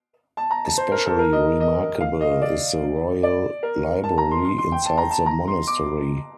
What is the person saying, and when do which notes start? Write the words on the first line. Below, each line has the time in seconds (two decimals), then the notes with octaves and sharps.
Especially remarkable is the Royal Library, inside the Monastery.
0.37 A5
0.51 A#5
0.65 A5
0.78 C5
0.91 A#4
1.06 A4
1.19 A#4
1.33 D#5
1.60 D#5
2.01 F5
2.21 D#5
2.42 D5
3.23 D5
3.63 A#4
4.04 A5
4.18 A#5
4.31 C6
4.45 C6
4.58 C6
4.72 G5
4.86 A5
4.98 A#5
5.11 A5
5.26 A#5
5.47 C6
5.67 D6